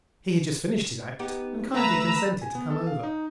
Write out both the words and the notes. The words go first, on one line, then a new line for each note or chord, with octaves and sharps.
He had just finished his act and kindly consented to come over.
B3 D#4 G4
D2 A3 B4 E5 A#5 E6
G#5
B3
A4
F5
D#4